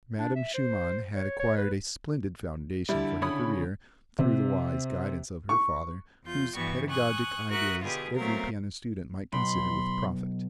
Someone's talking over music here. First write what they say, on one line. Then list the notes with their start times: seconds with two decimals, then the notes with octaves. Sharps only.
Madame Schumann had acquired a splendid foundation for her career through the wise guidance of her father, whose pedagogic ideas every piano student might consider with profit.
0.19 D4
0.36 E5
0.54 C5
1.15 C#5
1.39 C#5
1.58 B4
2.89 D3 G3 E4
3.22 C#3 C#5 B5 D#6
4.19 C3
5.49 C#6
6.23 E2 F4 G6
6.55 G2 E3 G3 B3 F#4 C#6
6.88 G#5 C#6 D#6 F#6
7.50 F#4 A#4 E5 C#6 D#6 F#6
7.82 B2 D3 F4 G4 G#4 B4
8.15 F#3 A3 B3 C4 A#4 F5
9.33 B1 B5 C6